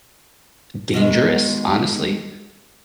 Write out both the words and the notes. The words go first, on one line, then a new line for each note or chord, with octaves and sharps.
dangerous, honestly.
B2 D#3 G#3